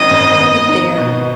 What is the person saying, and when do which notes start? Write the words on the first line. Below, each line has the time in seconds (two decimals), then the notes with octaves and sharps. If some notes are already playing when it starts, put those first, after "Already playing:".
But there!
Already playing: G#1 F#2 D#5
0.11 G#1
0.40 B3
0.69 D#4
0.98 B2